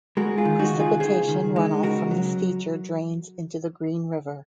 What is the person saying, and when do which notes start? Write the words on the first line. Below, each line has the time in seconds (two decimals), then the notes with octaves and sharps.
Precipitation runoff from this feature drains into the Green River.
0.17 G#3 F#4 A#4
0.38 F4 G#4
0.45 D#3
0.59 D#4 F#4
0.74 C#2
0.79 F4 G#4
1.00 C#2 G#4 C5
1.28 D#3
1.56 G#3
1.83 C#2 F#4 A#4
2.11 F#3